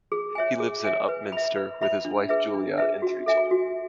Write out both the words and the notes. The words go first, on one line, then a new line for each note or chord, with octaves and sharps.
He lives in Upminster with his wife Julia and three children.
G#4
C#5 E5 G#5
G#4
C#5 E5 G#5
B4
E5 B5
B4
E5 B5
D4
G#4 B4 E5
D4
G#4 B4 E5
F#4
A4 E5 G#5
F#4